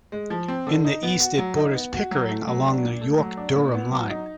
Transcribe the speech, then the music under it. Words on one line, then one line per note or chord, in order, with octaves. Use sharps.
In the East it borders Pickering along the York-Durham Line.
G#3
F3
C4
D3
D#4
B3
F#4
F#3
D#4
B3
F#4
F#3
A3
F#3
D4
A#2
A3
F#3
D4
A#2
B3
F#3
D#4